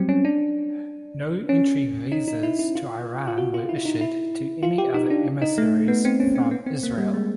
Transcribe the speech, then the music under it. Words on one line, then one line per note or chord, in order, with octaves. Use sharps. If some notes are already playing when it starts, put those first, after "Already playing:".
No entry visas to Iran were issued to any other emissaries from Israel.
Already playing: F#3 G3 C4
C#4
D4
C#4
D#4
D#4
E4
E4
F4
F4
F#4
F4
E4
D#4
E4
F4
G4
D#4
D4
D#4
A3
B3
C4
C#4
C4
B3
C4
A#3
G3
G#3